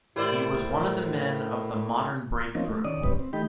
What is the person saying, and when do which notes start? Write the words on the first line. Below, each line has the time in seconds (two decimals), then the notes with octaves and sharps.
He was one of the men of "the Modern Break-through".
0.16 A2 E4 G4 A#4 C5 D5
0.71 A#4
2.55 F3 A#3 C4 C#4 D#4
2.69 A3
2.85 D#3 C#4 D5 D#6
3.03 C3 G3 C#4 B4
3.19 C4
3.33 D#3 A3 D#4 G4 G5 B5